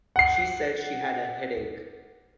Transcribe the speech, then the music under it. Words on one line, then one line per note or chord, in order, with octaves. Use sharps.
She said she had a headache.
F#5 C7